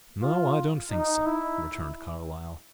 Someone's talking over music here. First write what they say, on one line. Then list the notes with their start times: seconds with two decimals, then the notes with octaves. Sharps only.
"No, I don't think so," returned Carlyle.
0.22 F4
0.91 D#4
1.26 E4